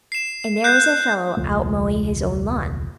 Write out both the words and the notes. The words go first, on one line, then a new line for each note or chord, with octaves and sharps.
And there was a fellow out mowing his own lawn.
C7 E7
F#6 G6 C7
E1 C#2 F3 A3